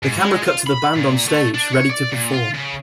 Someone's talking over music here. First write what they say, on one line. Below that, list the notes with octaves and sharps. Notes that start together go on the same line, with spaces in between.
The camera cut to the band on stage, ready to perform.
G#2
G#3
F4
B5
A#2
A3
D4
C#5
D5
A#2
F4
C#3